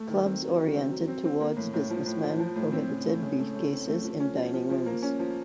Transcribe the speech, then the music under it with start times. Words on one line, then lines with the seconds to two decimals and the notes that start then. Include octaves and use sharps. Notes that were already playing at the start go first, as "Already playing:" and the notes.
Clubs oriented towards businessmen prohibited briefcases in dining rooms.
Already playing: A3
0.09 D#3
0.25 C4
0.42 F#3
0.58 D#3
0.75 C4
0.91 F#3
1.08 C4
1.24 C4
1.41 A#3
1.57 A2
1.74 A2
1.90 F3
2.06 A2
2.23 F3
2.40 F3
2.56 A2
2.72 C4
2.88 C#3
3.05 A3
3.22 C#3
3.38 A3
3.55 A3
3.71 C4
3.88 A3
4.04 F3
4.20 C#4
4.37 F3
4.54 F3
4.70 F3
4.86 A#3
5.02 C#4
5.19 F3